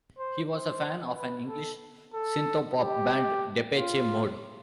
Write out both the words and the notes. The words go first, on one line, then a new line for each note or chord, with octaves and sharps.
He was a fan of an English synthpop band Depeche Mode.
C5
C5
B4
A4
A4
G4
F4